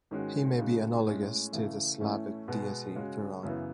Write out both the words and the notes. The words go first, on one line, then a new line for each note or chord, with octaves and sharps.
He may be analogous to the Slavic deity Perun.
G#2 D#3 G#3 C#4 F#4
C#3 G#3 D#4 F#4
A2 G#3 C#4
C#3 E3 A3
A2 E3 A3 C#4
B2 G#3 B3 F#4
C#3 G#3 C#4 F#4
F#2 C#3 E3 B3